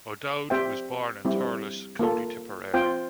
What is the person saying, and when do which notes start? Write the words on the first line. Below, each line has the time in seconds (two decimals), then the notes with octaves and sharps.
O'Dowd was born in Thurles, County Tipperary.
0.50 C4 G4 C5 E5 G5
1.25 G3 C4 E4
1.99 A#3 F4 A4
2.74 C4 F4 C5 G5